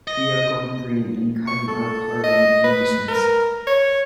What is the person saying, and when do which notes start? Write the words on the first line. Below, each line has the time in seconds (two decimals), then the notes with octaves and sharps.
We are going green and cutting our carbon emissions.
0.08 D#5
1.47 C#6
1.68 A4
2.24 D#5
2.64 B4
3.08 A#4
3.67 C#5